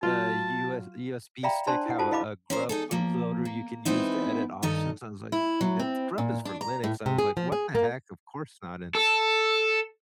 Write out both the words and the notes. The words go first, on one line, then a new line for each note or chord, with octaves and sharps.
uh, US USB stick have a a GRUB bootloader you can use to edit options?" I was like, "You know, GRUB is for Linux," I was like, "What the heck? Of course not," and
F#3 F4 A5
D5 E5 F5 G5 A#5 B5
D4 C5 D5 A5 C6
E4 F#5
F4 F#4 A4 C5 A5
E4 D#5 F5 B5 D6
C#4 A#4 C5
D#4 G#4 A4
F3 A#3
A#3
G#3 B3 C4 D#4 E4
G2 D#3 D#4 A4 D#5
E4
F#3
C4
A#2
D4
A#5
A2
C3
G#4
F3
G#4
A#3
A4